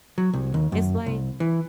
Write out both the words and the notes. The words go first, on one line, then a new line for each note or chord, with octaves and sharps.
It's, like
F#3
C2
D#2
F#2
C2
E3